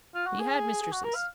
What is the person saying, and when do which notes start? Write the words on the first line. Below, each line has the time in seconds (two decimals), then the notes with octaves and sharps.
He had mistresses.
0.15 F4
0.26 F#4
0.39 G#4
0.82 G#4
0.92 F#4
1.04 A#4
1.15 F5